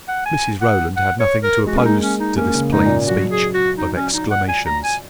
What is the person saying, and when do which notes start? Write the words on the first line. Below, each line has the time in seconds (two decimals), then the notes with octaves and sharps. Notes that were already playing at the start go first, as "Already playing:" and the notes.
Mrs Rowland had nothing to oppose to this plain speech but exclamations.
0.08 F#5
0.26 G#5
0.61 F#5
0.97 F#5
1.20 C#5
1.43 A#4
1.66 G#3 F#4
1.75 A#3 C#4
1.83 G#3 D#4
2.02 C#4
2.20 D#4
2.37 A#3 C#4
2.55 C#3
2.72 G#2 D#4
2.85 A#2
2.90 G#2
3.08 F#3 F#4
3.31 G#4
3.54 F#4
3.78 D#4
3.96 C#4
4.13 D#4
4.31 F#5
4.49 G#5
4.66 A#5
4.84 G#5